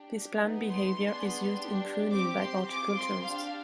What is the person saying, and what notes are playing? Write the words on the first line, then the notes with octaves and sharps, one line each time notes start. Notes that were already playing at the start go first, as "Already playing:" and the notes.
This plant behavior is used in pruning by horticulturists.
Already playing: D4 G4
B3 D#4 G#4
C6
B3 D4 G#4
D4 G4
C4 G4 D6
C6
C4 F4 G#4 D6
C6
D4 G4 F5